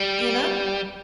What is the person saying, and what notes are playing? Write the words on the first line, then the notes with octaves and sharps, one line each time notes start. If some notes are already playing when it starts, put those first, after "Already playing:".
you know?
Already playing: G3